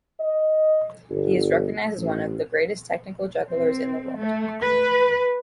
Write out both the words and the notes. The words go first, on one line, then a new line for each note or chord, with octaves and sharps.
He is recognized as one of the greatest technical jugglers in the world.
D#5
G1
A1
C4
A3
B4